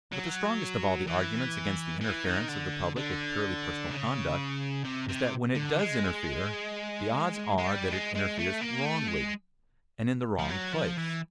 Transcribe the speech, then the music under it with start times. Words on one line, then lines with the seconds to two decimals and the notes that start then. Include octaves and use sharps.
But the strongest of all the arguments against the interference of the public with purely personal conduct, is that when it does interfere, the odds are that it interferes wrongly, and in the wrong place.
0.13 F#3
1.07 E3
2.01 E3
2.25 D#3
2.49 D3
2.96 D3
3.90 C#3
4.85 C3
5.09 C3
5.55 D3
5.79 G#3
7.58 G#3
7.67 G3
7.91 G#3
8.15 G#3
8.38 A3
8.61 A#3
8.85 A3
9.08 G#3
10.39 F3
10.49 F#3
10.73 F3
10.98 E3